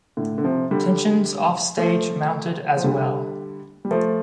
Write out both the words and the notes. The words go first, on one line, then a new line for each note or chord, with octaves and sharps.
Tensions offstage mounted as well.
A2 D3
D3
C3 F3
D3 G3
F3 A3
F3
D3 G3
G3
F3 A3